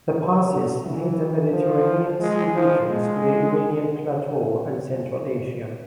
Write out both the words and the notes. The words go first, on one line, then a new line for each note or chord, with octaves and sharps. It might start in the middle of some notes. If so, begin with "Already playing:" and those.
The passes linked the Mediterranean Sea regions to the Iranian Plateau and Central Asia.
C3
D3
E3
F3
G#3
F3
G#3